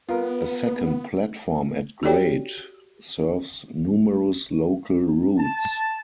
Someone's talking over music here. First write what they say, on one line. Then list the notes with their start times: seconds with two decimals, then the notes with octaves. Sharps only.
A second platform at grade serves numerous local routes.
0.09 B3 F4 A#4 B4
2.03 F#4 G4 A4 C#5 D5 G5
5.38 A5